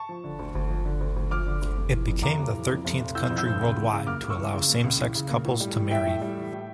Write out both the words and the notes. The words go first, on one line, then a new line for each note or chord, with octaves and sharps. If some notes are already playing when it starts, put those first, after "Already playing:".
It became the thirteenth country worldwide to allow same-sex couples to marry.
Already playing: A5 C#6
F3
D3
D2
D2
F3
D3
D2
D2
F3 D6 F6
D3
D2
F1
E3
F2
F1 A#5 D6
F1
E3
F2
F1
F1
E3 E6 G6
F2
E6 G6
F1
C#2
E3
C#3
A#3 D6 F6
C#2
C#6 E6
E3
C#3
A#3
C#2
E3
C#3
A#3
A2
G3
E3
A2 E5 G5
A2
G3
E3
A2